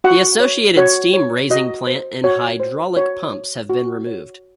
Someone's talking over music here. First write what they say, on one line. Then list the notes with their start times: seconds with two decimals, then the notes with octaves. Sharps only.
The associated steam raising plant and hydraulic pumps have been removed.
0.04 F#4 F#5
0.40 C#5
0.77 F#4 C#5
1.14 C#5
1.50 F#4 D#5
1.87 C5
2.24 F#4 C#5
2.60 C5
2.97 F#4 C#5
3.34 C#5
3.70 F#4
4.07 C#5